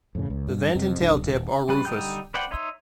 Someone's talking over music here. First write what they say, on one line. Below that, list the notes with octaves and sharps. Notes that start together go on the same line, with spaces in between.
The vent and tail-tip are rufous.
F2 A2 C#3
C#2
G2
F2 C3
G1 C2 D4
D#1
G3 B4
D3 G3 D#4 G5 G6
B4 C5 D5 F#5 G5
D#4 C#5 E5 C6 E6